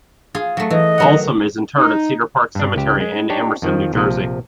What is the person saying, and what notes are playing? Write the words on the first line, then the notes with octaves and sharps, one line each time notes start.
Balsam is interred at Cedar Park Cemetery, in Emerson, New Jersey.
F4 G#4
F#3 A3
E3 D#5
D#3 F#3 F#5
D#4
G2 D4
C#2 G4
G#3
D4 D#4 G4 C#5
F2 D#3 F3
A#1 C3 F3